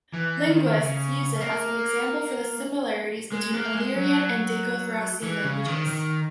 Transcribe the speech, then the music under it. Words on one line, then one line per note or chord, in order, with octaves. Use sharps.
Linguists use it as an example for the similarities between Illyrian and Daco-Thracian languages.
E3
D#3
C#3
A#3
G#3
A#3
G#3
F#3
E3
C#3
D#3
D#3